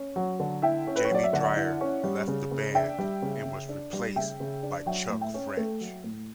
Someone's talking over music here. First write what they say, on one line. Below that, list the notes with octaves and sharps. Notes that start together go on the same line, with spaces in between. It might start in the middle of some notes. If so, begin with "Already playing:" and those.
Jamie Drier left the band and was replaced by Chuck French.
Already playing: C#4
F#3
D3
E4 E5 G5
C#4
B4
C#5
F#3 D5
E5
D3 D5 F#5
E4
C#4
G3
C#3
C#3
D4 E5 G5
G3
C#3
C#3
D4
G3
C#3 E5 G5
C#3
D4
F#3 E5 G5
A2
E5 G5
C#4
A3
F#3
A2